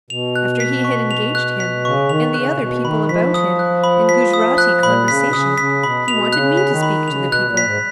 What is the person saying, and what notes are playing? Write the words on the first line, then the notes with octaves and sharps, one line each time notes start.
After he had engaged him and the other people about him in Gujrati conversation, he wanted me to speak to the people.
B2 F7
F#6
B6
C#6
F7
F#6
B6
C#3 C#6
D#3 F7
C#3 F#6
A#2
B2 F#6
D#3 B5
F3 B6
D#6
F#6
B5
B6
D#6
F#6
A#2 B5
C#3 B6
B2
C#3 D#6
C#3 B6
B2 B5
B2 F7
C#3 F#6
B6
D#3
B5
C#3 F7
B2
F#6
A#2
B6
G#2